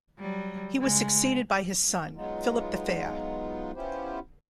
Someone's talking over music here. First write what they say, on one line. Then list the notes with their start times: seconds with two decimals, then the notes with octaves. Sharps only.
He was succeeded by his son Philip the Fair.
0.19 F#3 G3
0.81 C#3 G#3
2.14 F#3 G#3 B3 D#4 F4
3.75 B3 C#4 E4 F4 G4 C5